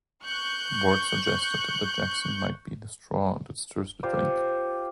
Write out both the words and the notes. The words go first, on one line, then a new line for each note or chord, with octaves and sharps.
Ward suggested that Jackson might be the straw that stirs the drink.
C#6 F#6 G6
F4 G4 C5